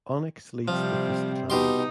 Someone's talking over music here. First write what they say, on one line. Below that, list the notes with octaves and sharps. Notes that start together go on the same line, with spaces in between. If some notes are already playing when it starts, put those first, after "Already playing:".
Onyx leads the Fist Clan.
C3 F3 G3 C4
B2 D#4 G4 C6